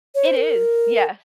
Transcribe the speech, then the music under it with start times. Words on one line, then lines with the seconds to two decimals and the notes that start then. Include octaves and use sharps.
It is, yes,
0.15 C#5
0.26 C5
0.36 A#4